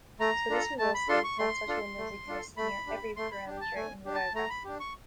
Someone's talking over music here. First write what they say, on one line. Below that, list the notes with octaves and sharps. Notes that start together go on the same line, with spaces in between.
So this result states that such windows exist near every parameter in the diagram.
A3 A#5
D4 F4 A4
A3 A5
B5
D4 F4 A4 C6
C#6
A3 C6
D4 F4 A4
A3
D4 F4 A4
A3 B5
D4 G4
A3 C6
B5
D4 G4
A5
A3 G#5
D4 G4
A5
A3 A#5
B5
D4 G4
C#6